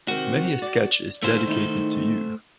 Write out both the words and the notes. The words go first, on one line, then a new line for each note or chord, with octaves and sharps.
Many a sketch is dedicated to you.
C3 D#3 C4 F#4
D5
D#2 A3 E4 C5 F5
D#3 D#4 E4